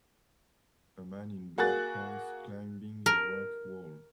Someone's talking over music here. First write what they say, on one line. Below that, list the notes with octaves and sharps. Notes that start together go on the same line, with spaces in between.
A man in black pants climbing a rock wall.
A#3 F#4 G#4 F#6 A6
A#4